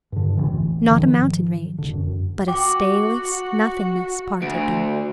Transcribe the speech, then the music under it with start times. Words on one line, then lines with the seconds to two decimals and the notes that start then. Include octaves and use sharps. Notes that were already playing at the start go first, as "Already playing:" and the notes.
Not a mountain-range, but a stayless nothingness parted them.
0.12 G2 D3
0.37 E1 A1 D3 E3
0.90 G#2 D#3 F3
1.78 E1 D3
1.93 F#2
2.48 F#4 G5 D6
4.42 D2 D7